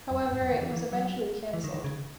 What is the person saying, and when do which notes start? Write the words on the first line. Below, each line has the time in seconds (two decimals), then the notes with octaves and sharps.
However, it was eventually cancelled.
0.11 F#2
0.32 G#2
0.42 F#2
0.52 D#3
0.61 E3
0.72 E3
0.92 F#3
1.53 E3
1.64 D#3
1.74 D#3
1.84 C#3